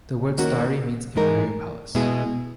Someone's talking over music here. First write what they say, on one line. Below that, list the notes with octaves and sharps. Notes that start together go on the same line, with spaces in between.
The words "dairi" means "imperial palace".
D#3 A#3 C#4 F#4 A#4
G#2 E3 G#3 D#4 A#4
B2 G#3 B3 E4 G#4